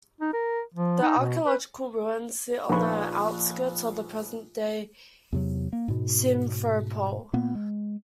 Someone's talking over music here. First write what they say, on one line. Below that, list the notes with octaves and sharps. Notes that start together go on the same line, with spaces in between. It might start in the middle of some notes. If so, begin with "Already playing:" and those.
The archeological ruins sit on the outskirts of the present-day Simferopol.
D#4
A#4
F3
D#4
B2
B4
A#1 F3 D#4 A4 B4 C#6
E2 C3 F#3
A#3
G#2 B2
A#2 A#3 B3
G#3